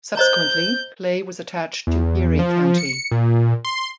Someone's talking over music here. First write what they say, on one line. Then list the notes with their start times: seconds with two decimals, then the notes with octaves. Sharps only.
Subsequently, Clay was attached to Geary County.
0.17 C5 D#5 A#5 G6
1.87 E2
2.39 F3
2.78 C#7
3.11 A#2
3.65 C6